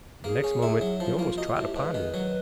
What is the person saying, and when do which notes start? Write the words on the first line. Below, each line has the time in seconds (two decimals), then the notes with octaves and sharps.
The next moment he almost trod upon me.
0.24 A#3 G#4
0.44 C#4
0.62 E4
0.81 F#3
1.00 F3
1.10 F4
1.19 A#3 E4
1.29 F4
1.37 D#4 F#4
1.47 F4
1.57 A2 F#4
1.66 G4
1.75 G#2 B4
1.94 D#3
2.14 F#3